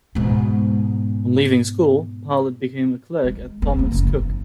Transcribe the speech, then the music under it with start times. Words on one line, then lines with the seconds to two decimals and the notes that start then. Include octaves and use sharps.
On leaving school Parlett became a clerk at Thomas Cook.
0.15 G#2 B2
3.24 G#3
3.62 B3 C4
3.79 A#3
3.92 F#1 C#3
4.07 E2 F3